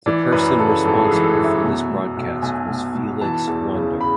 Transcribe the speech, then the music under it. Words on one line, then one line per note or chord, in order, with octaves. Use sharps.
The person responsible for this broadcast was Felix Huonder.
E3 D5
F#2 B4
C#3 A4
G#1 A4
A4
G#4
E3
A4
F#2
E5
B2
B2
B1
B1 G#5
B2
B2
E3 A5
E2
C#3
B5